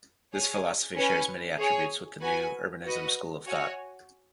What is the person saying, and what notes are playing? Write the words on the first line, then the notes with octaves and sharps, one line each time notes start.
This philosophy shares many attributes with the new urbanism school of thought.
G#4 C#5 G#5
C#4 B4 G#5
G#4 C#5 G#5
F#4 B4 G#5
F#4 B4 D#5
F#4 C#5 G#5